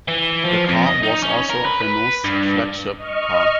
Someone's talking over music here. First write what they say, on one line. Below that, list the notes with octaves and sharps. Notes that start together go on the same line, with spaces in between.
The car was also Renault's flagship car.
E3
F3
F2
D#5
D#4
C#4
A#4
B4
B4
G2
D#5 C#6 F6